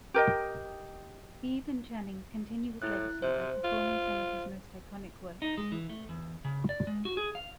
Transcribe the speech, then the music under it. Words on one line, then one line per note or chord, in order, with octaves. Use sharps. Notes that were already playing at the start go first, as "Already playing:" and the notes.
Bibbe and Channing continue his legacy by performing some of his most iconic works.
G4 A#4 D#5 G5
A2 E4 F#6
C3 C5
F4
D#4
G#3
E3
A3
E2
C#3
D5
G#3
F#4
G#4
F5